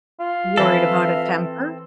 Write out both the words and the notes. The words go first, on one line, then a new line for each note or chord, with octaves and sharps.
Worried about a temper?
F4
E3 C4 A4 E5